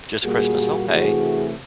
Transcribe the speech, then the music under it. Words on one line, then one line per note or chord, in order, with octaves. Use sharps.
Just Christmas okay.
A#2 G3 A#3 F#4 G#4
C3 E3 A3 F#4 G#4